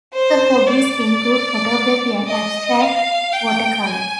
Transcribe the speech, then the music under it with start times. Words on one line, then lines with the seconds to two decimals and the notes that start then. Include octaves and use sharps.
Her hobbies include photography and abstract watercolor.
0.14 C5
0.67 D5
2.27 D#5
2.80 F5
3.33 G5
3.86 G#5